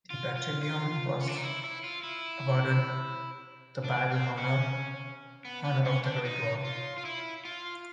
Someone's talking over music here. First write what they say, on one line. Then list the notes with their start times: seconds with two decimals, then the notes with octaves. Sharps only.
The Battalion was awarded the Battle Honour "Honour of the Great War".
0.10 F4
0.37 F4
0.63 F4
1.21 C#4
1.27 D4
1.36 D#4
1.44 E4
1.64 E4
1.84 F4
2.03 E4
3.84 D4
4.11 C4
4.37 C#4
5.45 B3
5.64 B3
5.85 C#4
6.04 D4
6.25 D#4
6.64 F4
6.98 F4
7.05 E4
7.45 F4